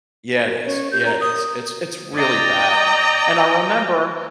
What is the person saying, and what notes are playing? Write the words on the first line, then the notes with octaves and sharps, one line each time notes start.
Yeah, it is, yeah, it is. It's it's really bad. And I remember
A#4
C#4 C#5
G4 G6
A#4 A#5
D#6
D5 D#5 G5 A#5